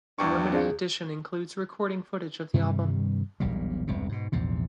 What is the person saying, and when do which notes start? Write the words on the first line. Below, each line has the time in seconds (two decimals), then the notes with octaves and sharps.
The limited edition includes recording footage of the album.
0.19 E2 G2 C#6
0.53 C4 D4 F4 G#4
2.54 G2 C3 D#3 G3
3.40 E1 B1 A#2 G3
3.87 E1 C2 G2 C3
4.09 G#2 B2
4.32 A#1 E2 G#2 C3